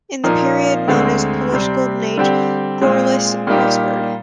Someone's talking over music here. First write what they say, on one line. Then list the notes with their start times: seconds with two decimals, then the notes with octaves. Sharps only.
In the period known as Polish Golden Age, Gorlice prospered.
0.24 A#2 F3 A#3 D#4
0.88 D2 D3 G#3 C4
1.52 C3 G3 C4
2.18 D3 G3 C4 G4
2.82 A#2 G#3 C4
3.47 A#2 G3 A#3 D#4 G4